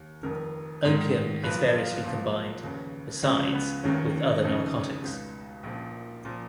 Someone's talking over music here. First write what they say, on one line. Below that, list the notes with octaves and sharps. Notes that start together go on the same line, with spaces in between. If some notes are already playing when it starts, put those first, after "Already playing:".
Opium is variously combined, besides, with other narcotics.
Already playing: D#2
F1 F2 D#3 A#4
A#1 G#2 D#3
B1 A#2 F3 B4
F4
B1 A#2 F3
F1 D#2 C#3
C#2 C#3 F3 C#4
B3
F1 D#2 D#3 C#4
F1 F2 C#3 D#4
C#2 B2
A#1 A#2 F3
A#2 F3